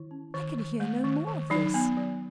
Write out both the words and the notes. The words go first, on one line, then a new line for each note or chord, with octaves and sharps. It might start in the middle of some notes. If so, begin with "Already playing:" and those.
I can hear no more of this.
Already playing: D#3 E4
C#4
D#3
D#3
A3
D#3
D#3
F#3 D#4
B3
F#3